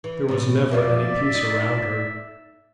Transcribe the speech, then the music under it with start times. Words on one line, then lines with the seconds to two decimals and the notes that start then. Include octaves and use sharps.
There was never any peace around her.
0.04 E3
0.29 A2 E3
0.71 F2 F3 A#3 D5 E5
1.35 D#4